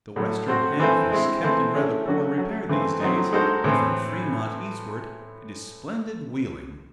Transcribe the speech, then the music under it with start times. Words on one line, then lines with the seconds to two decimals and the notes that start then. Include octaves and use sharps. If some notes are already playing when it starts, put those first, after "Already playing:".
The western half is kept in rather poor repair these days; but from Fremont eastward it is splendid wheeling.
0.16 A2 F#3 A3
0.48 A3 C4 F#4 C5
0.80 E3 C4 E4 A4 C5
1.11 G#3 C4 E4
1.42 E3 C4 E4 A4 C5
1.75 A3 C#4 E4 G#4
2.05 C#3 F#3 C#4 F#4 A4
2.38 F#3 A3 C#4
2.69 C#3 E3 A3 C4
3.00 F#3 A3 C4 D#4
3.32 G#3 D#4 F#4 A4 C5
3.64 A2 E3 A3 C4